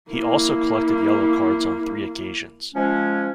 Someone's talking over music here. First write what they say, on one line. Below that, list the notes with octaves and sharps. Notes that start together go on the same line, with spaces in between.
He also collected yellow cards on three occasions.
A#3 E4
F3 G#3 C#4